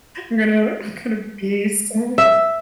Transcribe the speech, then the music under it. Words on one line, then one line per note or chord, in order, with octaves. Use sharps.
I'm gonna I'm gonna be sorry
E5